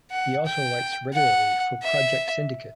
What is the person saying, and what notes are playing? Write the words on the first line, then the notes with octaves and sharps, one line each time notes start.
He also writes regularly for "Project Syndicate".
F#5
G5
F#5
E5